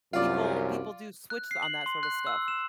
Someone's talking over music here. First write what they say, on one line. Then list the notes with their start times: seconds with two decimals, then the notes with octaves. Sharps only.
people people do switch on that sorta stuff.
0.13 C2 F#2 F4 D5
1.30 F#6
1.51 C7
1.63 F#7
1.86 C6
2.03 F#6
2.27 E6
2.48 E7